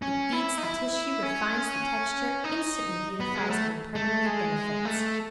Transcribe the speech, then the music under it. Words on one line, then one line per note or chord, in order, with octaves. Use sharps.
It FEEDS the tissue, REFINES the texture, INSTANTLY beautifies, and PERMANENTLY benefits.
C#4
E4
D#4
E4
C#4
D#4
B3
G#3
A3
A3
G#3
A3